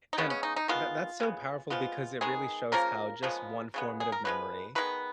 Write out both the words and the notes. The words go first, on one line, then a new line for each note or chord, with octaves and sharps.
And that that's so powerful because it really shows how just one formative memory
D#4
C#3 G#3 B3 C#4
C#4
D#4
D#4
D#3 G#3 B3 F4
C#3 G#3 B3
F3 G#3 B3 F4
D#3 G#3 B3 G#4
C#3 F3 A#3 A#4
C#3 F3 G#3 B3
C#3 G#3 B3
G#4
A#4
F3 G#3 B3 B4
D#3 G#3 B3 B4